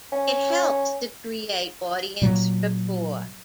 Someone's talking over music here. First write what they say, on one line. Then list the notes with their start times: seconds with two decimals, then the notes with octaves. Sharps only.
It helps to create audience rapport.
0.12 C#4
2.22 A#2 F#3